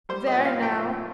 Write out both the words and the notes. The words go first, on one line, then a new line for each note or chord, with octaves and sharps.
There now!'
G3 C5
D#5
A#2
F5
A#2
G5
A#2